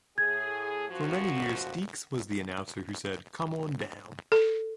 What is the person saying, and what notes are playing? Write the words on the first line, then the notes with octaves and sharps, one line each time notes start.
For many years Deeks was the announcer who said Come on Down!
A2 G#4 G#6
F#2 F3 F#4
A4